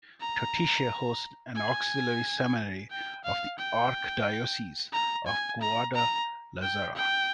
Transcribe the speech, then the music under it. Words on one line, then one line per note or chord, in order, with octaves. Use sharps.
Totatiche hosts an auxiliary seminary of the Archdiocese of Guadalajara.
A#5
G#5
G5
F5
G5
A#5
G#5
A#5
A#5
G5
G5